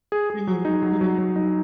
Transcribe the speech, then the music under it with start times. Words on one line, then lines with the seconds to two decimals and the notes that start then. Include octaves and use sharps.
Mhm, mhm.
0.12 G#4
0.30 G#4
0.47 F#3
0.65 D#4
0.82 F#3
1.01 F#3
1.18 F#3
1.36 D#4